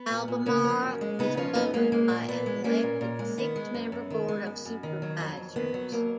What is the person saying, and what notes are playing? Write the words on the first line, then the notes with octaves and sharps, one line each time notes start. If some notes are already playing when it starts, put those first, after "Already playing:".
Albemarle is governed by an elected six-member Board of Supervisors.
Already playing: B3
A#2
A#2
C#3 A#3 C#4
F3
F#2
G#3
C#3 B3 D#4
F3 C#4 F4
F#2 B3 D#4
G#3 A#3 C#4
G#3 A#3
A#2
A#2 B3
G#3
G#3 A#3 C#4
A#2
A#2
G#3
D#3 B3
G#3
F#2
F#2
D#3
G#3
F#2
F#2
D#3
F#3
F2
F2
D#3 B3
F#3
F2 A#3